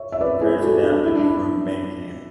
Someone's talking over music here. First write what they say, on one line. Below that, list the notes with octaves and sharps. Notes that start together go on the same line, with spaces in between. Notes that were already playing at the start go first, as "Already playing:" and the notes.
Credits adapted from Bandcamp.
Already playing: C#5 E5
E5
B4 D5
E4 G#4
F#4 A4
D4
E4
D4
E4